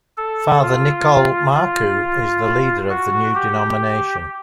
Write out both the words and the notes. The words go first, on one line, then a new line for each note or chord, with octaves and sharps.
Father Nikolle Marku is the leader of the new denomination.
A4
F4
F4
F#4
G4